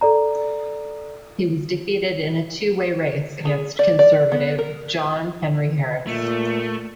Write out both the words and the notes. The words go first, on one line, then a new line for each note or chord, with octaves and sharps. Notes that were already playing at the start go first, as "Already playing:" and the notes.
He was defeated in a two-way race against Conservative John Henry Harris.
A4 D5 A#5
G#4
D5
D5
B3
A#4
A#2 A3